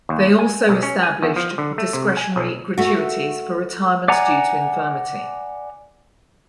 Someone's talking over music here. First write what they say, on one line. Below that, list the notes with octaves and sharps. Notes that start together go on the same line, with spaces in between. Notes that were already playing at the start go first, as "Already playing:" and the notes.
They also established discretionary gratuities for retirement due to infirmity.
D#2
G#5
B1
C#4
G#5
E2
F3
D3
A3
C3
G#5
B1
A3 F#4
D5 F#5 G#5 A#5